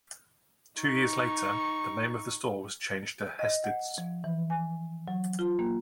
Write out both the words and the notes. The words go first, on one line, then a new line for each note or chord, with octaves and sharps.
Two years later, the name of the store was changed to Hested's.
D#4 C#6
D#5
F#5
F3
E3
G#5
F#3
F4
A#3